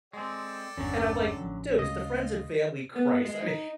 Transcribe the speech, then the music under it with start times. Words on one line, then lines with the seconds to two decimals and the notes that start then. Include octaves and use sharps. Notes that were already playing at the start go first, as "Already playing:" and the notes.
And I'm like, "Dude, it's the friends and family christ," I mean,
0.13 G#3 C4 A4 D5 G5
0.78 G1 E2 D3 F#3 C#4
1.41 A1 F3
1.79 D2 C#3 G#3 F4 D#5
2.96 B3
3.25 G#3
3.42 D#4